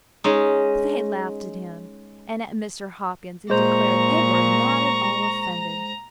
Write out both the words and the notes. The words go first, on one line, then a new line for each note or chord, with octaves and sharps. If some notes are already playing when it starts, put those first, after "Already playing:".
But they laughed at him and at Mr. Hopkins, and declared they were not at all offended.
G#3 C#4 D#4
A#2 G#3 C5 A#5 C#6